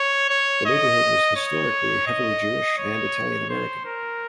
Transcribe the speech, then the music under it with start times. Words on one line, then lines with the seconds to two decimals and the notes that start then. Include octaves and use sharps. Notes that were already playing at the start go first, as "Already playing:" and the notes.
The neighborhood was historically heavily Jewish and Italian-American.
Already playing: C#5
0.30 C#5
0.65 D#5
1.36 C#5
2.07 D#5
2.78 C#5
3.50 C5
3.85 A#4